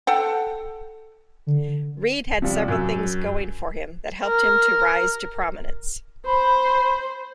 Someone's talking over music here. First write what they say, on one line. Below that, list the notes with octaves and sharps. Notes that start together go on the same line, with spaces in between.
Reid had several things going for him that helped him to rise to prominence.
A4 F#5 G5
D3
C3 F3 G3
F#2 E6
A#4
C5 B5